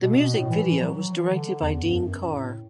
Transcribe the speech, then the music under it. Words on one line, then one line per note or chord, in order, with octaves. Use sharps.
The music video was directed by Dean Karr.
B2
B2
A2
E3
E3
F#3
F#3
E3
D3
E2
G2
F#2
A2